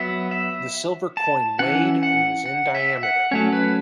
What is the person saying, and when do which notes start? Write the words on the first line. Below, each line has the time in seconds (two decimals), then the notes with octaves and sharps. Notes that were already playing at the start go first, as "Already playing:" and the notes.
The silver coin weighed and was in diameter.
Already playing: F#3 B3 E5
0.31 E5
1.17 A5
1.59 E3 C#4 F#5
2.03 F#5
2.46 F#5
2.75 E5
3.03 F#5
3.31 F#3 A3 C#4 C#5
3.53 B4